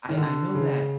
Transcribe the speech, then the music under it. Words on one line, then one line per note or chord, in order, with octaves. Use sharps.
I I know that,
D#3
D3
C#3